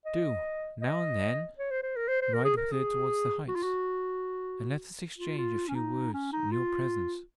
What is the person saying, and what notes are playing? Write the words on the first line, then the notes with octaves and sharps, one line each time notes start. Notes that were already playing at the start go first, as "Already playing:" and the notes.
Do, now and then, ride with her towards the Heights; and let us exchange a few words, in your presence!
D#5
D#5
C#5
C5
C5
A#4
C5
C5
A#4
G#4
A#4
G#4
F#4
F4
F#4
F4
F4
C#4
D#4
C#4
D#4
F4